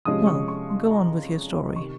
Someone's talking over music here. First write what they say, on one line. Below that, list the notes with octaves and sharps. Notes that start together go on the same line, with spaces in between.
"Well, go on with your story."
C3 F3 G#3 C#4 D#6
C#6
C#6
C6
A#5
C3 D#3 C#6